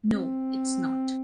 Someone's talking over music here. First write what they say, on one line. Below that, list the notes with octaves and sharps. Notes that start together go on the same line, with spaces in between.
No, it’s not.
C4